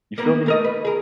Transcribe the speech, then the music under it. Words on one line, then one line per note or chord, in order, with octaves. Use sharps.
You feel me?
A#3 B3
A3 A#4 D#5
B4
G#4 A#4